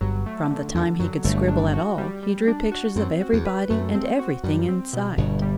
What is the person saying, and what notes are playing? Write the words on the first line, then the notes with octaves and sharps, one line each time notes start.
From the time he could scribble at all he drew pictures of everybody and everything in sight.
G1 G2 F#3
A3
D3
E2 D3
F#2 F#3
G1 G2 A3
D4
F#4
G3
G3
D4
F#4
F#2 C4
F#4
E2
B4
F#2 A3
C4
F#4
F#2 G3
C4
B2
G1 G2 B2
G3